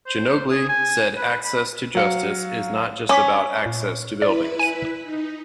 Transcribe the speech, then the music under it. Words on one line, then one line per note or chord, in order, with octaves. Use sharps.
Djanogly said Access to justice is not just about access to buildings.
C5
G#4
G#5
B4
B5
F#3 F5 C#7
C#4 G#5 D6 B6
A#2
E4 B4 D5 B5
G#5 D#7
D#4